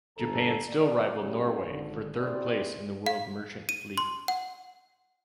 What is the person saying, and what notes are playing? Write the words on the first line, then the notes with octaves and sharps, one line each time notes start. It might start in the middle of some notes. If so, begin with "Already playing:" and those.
Japan still rivalled Norway for third place in the world merchant fleet.
G1 A4 A#5
D5
C#3 F#3 G3
G#1 D3
C4 E4 G4 G#4 C5 D5
F5
D#7
C6
F#5